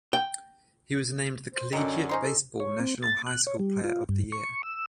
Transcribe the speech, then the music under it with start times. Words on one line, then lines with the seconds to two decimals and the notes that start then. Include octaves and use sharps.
He was named the "Collegiate Baseball" National High School Player of the Year.
0.13 G5
1.53 C5
1.73 F#2 D3 D#3 C#4
2.09 C#4 D#4 C5 C6
2.22 A4
2.60 C#5
2.80 C4
3.03 A6
3.27 F#6
3.47 C#5
3.59 G3
3.84 F4
4.09 G2
4.32 C#6
4.63 E6